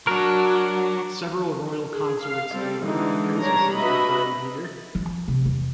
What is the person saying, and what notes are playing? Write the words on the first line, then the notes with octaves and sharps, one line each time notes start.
Several royal consorts and princesses are buried here.
F#3 D4 F#4 A#4
G#4
F5
G3 C4 A4
D3 E3 G#3 D#4
G3 D4 C#5 A#5
D4 F#4 B4 D#5 E5 B5
F3
C3
E2